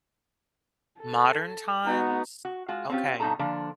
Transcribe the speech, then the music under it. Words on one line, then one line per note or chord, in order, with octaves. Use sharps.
modern times? Okay.
A4
B3 D#4 F#4
F#4
G#3 F4 F#4
C4 C#4 F4 G4
G2 B2 D#4 F#4 A4 A#5
D3 F3 A#3 D4